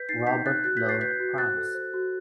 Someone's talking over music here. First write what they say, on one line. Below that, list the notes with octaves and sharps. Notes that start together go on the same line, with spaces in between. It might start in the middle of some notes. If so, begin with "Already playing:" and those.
Robert loved pranks.
Already playing: B4 G6 B6
D#4 A6 C7
D#4 G6 B6
D#4 F#6 A6
F#4 F#6 A6
G6 B6
B4
A6 C7
B4 G6 B6
F#4
C5 F#6 A6
A4
C5
F#4